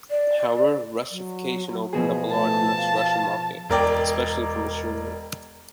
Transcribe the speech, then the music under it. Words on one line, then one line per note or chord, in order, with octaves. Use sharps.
However, Russification opened up a large Russian market especially for machinery.
D5
F#3
B2 F3 G#4
A3 A5
F5
E1 A#4 D5 G5